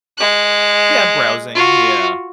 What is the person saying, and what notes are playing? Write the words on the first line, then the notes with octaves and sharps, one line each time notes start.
Yeah, browsing, yeah.
G#3 F#6
F4 F#4